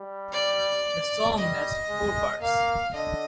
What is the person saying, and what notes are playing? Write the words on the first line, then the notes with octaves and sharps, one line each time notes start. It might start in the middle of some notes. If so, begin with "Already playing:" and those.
The song has four parts.
Already playing: G3
D5
G3 D#5
G#3
A#3 F5
D3 D#5